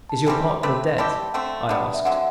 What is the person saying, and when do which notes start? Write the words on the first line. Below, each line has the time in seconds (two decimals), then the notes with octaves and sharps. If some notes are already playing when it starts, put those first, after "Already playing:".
"Is your partner dead?" I asked.
0.09 A5
0.27 E3 G3 C4 G4
0.63 A3 C4 G4 B4
0.98 G3 C4 E4 G4 A5
1.34 D3 A3 C4 G5
1.69 G3 B3 D4
1.94 E5
2.05 D3 F#3 C4 F#5